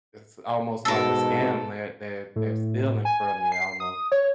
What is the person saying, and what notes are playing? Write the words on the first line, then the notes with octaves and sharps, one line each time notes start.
It's almost like a scam, they're they're they're stealing from you almost
G#2 B2 A4 A#4
A2
G#5
C7
D#6
C#5